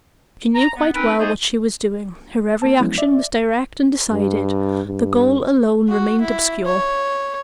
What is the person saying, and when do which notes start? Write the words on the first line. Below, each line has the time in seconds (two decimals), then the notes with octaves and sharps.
She knew quite well what she was doing, her every action was direct and decided, the goal alone remained obscure.
0.55 A#5
0.78 B3
0.94 C4 C#4 D#4 A#4 B4
1.19 A3 A#3 D#4 G#4 C5 D#5
2.62 A#3 A5
2.79 F3 F#3 G#3 B3 C#4 E4
2.98 D5 E5
4.11 G2
4.86 G2
5.89 F#4
6.21 E4
6.66 C#5